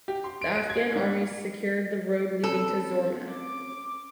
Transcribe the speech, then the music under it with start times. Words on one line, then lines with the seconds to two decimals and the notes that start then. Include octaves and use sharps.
The Afghan Army secured the road leading to Zormat.
0.08 G4
0.24 C6
0.42 D7
0.55 D7
0.70 G#6
0.95 G#2
2.43 C4 C#4 A4 B4
3.30 D6